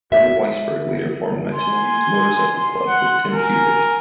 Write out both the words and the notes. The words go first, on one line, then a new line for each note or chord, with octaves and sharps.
Bryan Weisberg later formed Maximillion's Motorcycle Club with Tim Huthert.
E5
G#5 C6
C6
F#5
A#4 G#5